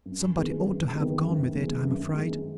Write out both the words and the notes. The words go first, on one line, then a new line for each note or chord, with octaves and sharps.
Somebody ought to have gone with it, I'm afraid.'
F#2
D#3 G#3 B3
F#2
D#3 G#3 B3
F#2
D#3 G#3 B3
F#2
D#3 G#3 B3